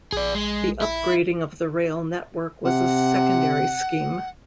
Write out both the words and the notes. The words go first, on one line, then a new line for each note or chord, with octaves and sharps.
The upgrading of the rail network was a secondary scheme.
A#1 G#4 D5
G#3
E4
C3 F#5